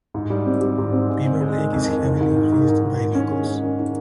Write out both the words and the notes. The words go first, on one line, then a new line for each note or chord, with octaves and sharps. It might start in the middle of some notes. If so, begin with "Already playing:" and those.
Beaver Lake is heavily fished by locals.
G#2
G3
C4
G3
G#2
C4
G#3
C4
G#3
D#3
F2
D#3
D#3
G#2
D#3
G#2
D#3
G#2
D#3
C#4
G#3
C#4
D#3
D#3